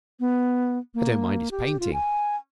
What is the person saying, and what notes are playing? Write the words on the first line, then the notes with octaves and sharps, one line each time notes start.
I don't mind his painting.
B3
A#3
G4
F4
G#5